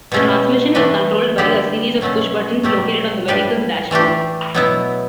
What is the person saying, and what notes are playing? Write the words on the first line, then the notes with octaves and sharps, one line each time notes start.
The transmission was controlled by a series of pushbuttons located on the vehicle's dashboard.
B2 A3 C#4 E4
E3 A3 D4 F#4 B4
D3 G3 B3 E4 G4
B2 F#3 A3 C#4
B2 F#3 A3 E4 G4
A2 G3 D4 G4 B4
E3 A3 D4 G4
B2 F#3 B3 E4